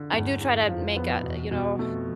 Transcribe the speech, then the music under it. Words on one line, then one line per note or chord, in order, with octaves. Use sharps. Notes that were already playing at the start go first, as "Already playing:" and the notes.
I do try to make, uh, you know,
Already playing: D3
E2 G2
E2
F2 F3
B3
E2 B2
B2
F2 A3